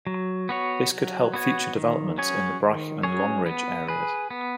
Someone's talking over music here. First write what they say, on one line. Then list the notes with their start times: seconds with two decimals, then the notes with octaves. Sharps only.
This could help future developments in the Breich and Longridge areas.
0.07 F#3
0.49 B3 F#4 C#5
0.91 F#3
1.34 B3 F#4 C#5
1.76 D#3
2.18 F#3 C#4 G#4 C#5
2.60 D#3
3.03 F#3 C#4 G#4 C#5
3.46 B3
3.88 G#4 B4
4.31 B3